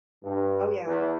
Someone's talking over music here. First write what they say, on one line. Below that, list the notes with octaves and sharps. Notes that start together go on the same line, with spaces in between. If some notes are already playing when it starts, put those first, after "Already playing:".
Oh, yeah.
G2
E2